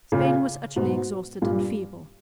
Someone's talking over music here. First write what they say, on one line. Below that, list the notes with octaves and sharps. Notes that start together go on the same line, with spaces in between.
Spain was utterly exhausted and feeble.
A#2 C#3
G#2 B2
G2 A#2